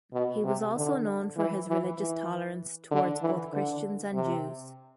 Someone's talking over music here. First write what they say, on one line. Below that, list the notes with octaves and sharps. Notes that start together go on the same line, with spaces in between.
He was also known for his religious tolerance, towards both Christians and Jews.
B2
C3
D3
E3
E3
E3
D3
E3
D3
C3